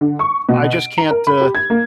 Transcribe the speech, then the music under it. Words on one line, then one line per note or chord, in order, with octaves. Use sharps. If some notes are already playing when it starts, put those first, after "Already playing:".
I just can't, uh,
D3
C#6
B2
D7
A#5
A#4
B5
G4
G#6
A#3